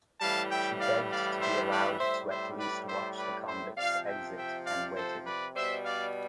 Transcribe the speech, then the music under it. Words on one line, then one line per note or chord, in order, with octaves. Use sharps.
She begged to be allowed to at least watch the convict’s exit, and waited.
A2 E3 G3 F5 A5
E5 G5
D5 F5
D5 F5
C5 E5
B4 D5
A2 G3 C5 E5
C5 E5
B4 D5
C5 E5
B4 D5
C5 E5
C3 F3 D5 F5
E5 G5
E5 G5
D5 F5
A4 C5
B4 D5
B2 G3 C5 E5
D5 F5